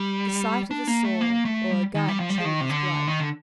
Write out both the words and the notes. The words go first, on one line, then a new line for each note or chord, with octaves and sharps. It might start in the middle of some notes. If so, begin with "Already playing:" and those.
The sight of a sword or a gun chilled his blood.
Already playing: G3
D4
A#3
A3
A#3
A3
G3
D#3
G3
F3
G3
F3
D#3
C3
D3
D#3
D3